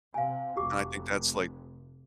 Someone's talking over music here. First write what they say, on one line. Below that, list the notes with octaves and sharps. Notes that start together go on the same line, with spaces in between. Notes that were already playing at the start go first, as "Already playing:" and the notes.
And, I think that's like
C3 F5 G#5
F1 F#4 G4 D6